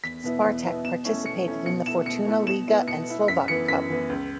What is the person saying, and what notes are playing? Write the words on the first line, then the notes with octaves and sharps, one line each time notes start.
Spartak participated in the Fortuna Liga and Slovak Cup.
E2 B6
B2 B3 E4
E2
B2 B3 E4
B2 E7
A3 C#4 E4
B2 C#7
A3 C#4 E4
B2 C#7
A3 E4 E7
B2 C#7
A3 E4
B2 E7
B3 E4
B2 C#7
B3 E4
F#2 B6
E3 B3 C#7
F#2 B6
E3 B3
C#2